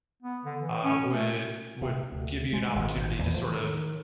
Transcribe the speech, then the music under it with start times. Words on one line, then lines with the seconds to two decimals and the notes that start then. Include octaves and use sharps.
uh, would would give you an opportunity to sort of
0.22 B3
0.45 D3
0.61 E3
0.83 C#4
1.13 A3
1.82 C3
2.12 D2
2.53 G#3
2.75 G#1
3.19 E2
3.34 F3
3.48 D#3